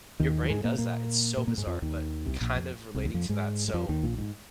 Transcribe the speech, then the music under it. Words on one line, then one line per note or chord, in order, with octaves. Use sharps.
your brain does that, it's so bizarre, but kind of relating to that, so,
D#2 D#3
F3
G#2 G#3
A#2 A#3
A#2 A#3
A#2 A#3
A#2 A#3
G#2 G#3
F2 F3
D#2 D#3
C2 C3
A#1 A#2
F2
C2 C3
D#2 D#3
F2 F3
G#2 G#3
G#3
F2 F3
D#2 D#3
A#1 A#2
G#2